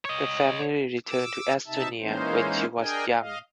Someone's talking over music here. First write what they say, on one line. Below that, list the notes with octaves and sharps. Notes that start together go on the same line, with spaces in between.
The family returned to Estonia when she was young.
C#5 D#5
D6 E6
C3 D#4 E5 A5
E3 G#3 A#3 C#4 D#4 C5
D4 G#4 A#4 D#5 G5 G#5
D#5 F5